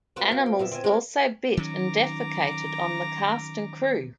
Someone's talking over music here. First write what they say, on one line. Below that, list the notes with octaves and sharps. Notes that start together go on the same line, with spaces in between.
Animals also bit and defecated on the cast and crew.
C4 F4 F#4 B4
A#3
G5
A#2 B3 E5
C4 E5 G#5
G#3 C4 G4 A#4
D#3 F#3 C#4 A#5 D6